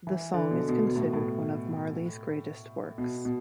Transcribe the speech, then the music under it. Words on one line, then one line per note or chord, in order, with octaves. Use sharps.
The song is considered one of Marley's greatest works.
E3
D3
B2
B2
B2
A2
A2
B2
B2